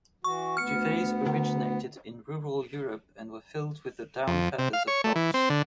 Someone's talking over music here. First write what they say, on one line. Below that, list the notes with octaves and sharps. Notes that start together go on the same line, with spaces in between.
Duvets originated in rural Europe and were filled with the down feathers of ducks.
E3 F#4 C#6
D2 B3 F6 C#7
D3
F2
C3
F5
C#5
A3
E3
C4
D3